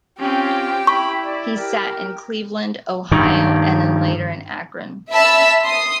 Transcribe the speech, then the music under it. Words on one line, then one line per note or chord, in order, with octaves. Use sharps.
He sat in Cleveland, Ohio and then later in Akron.
C4 C#4 F4 G4 G5
E4 B5 C#6
D5
G4 A#4
G2 D#3
E5 A5 B5 E6
C6 D#6